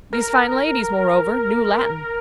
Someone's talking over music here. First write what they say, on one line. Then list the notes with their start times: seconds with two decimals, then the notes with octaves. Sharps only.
These fine ladies, moreover, knew Latin.
0.13 A#4